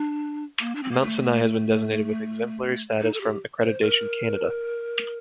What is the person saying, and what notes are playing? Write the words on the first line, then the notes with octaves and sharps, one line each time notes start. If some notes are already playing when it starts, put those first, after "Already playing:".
Mount Sinai has been designated with Exemplary Status from Accreditation Canada.
Already playing: D4
A#3
D4
C4
A#3
A3
D#4
A4
G4
C5
A#4